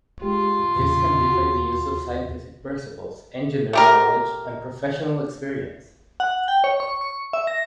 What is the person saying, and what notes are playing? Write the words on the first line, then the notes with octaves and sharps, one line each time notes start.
This can be by the use of scientific principles, engineering knowledge, and professional experience.
G#3 F4 G4
E2 A#2 C#3
D#2 F#4
A3 G4 A#4
F#5
G5
C#5
C#6
C#6
E5
A#6